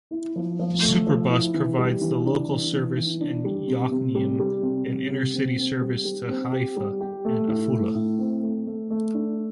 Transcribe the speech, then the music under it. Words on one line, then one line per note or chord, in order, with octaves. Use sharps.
Superbus provides the local service in Yokneam and intercity service to Haifa and Afula.
E4
F3
F3
A3
F3
E4
E3
G3
E3
D4
E3
E3
E3
D4
G3
C3
C3
G3
G3
C3
G3
C3
C4
C4
G3
G3
C4
G4
G3
G4
A3
A2
A3
A2
C4
A3
A3
A3
D4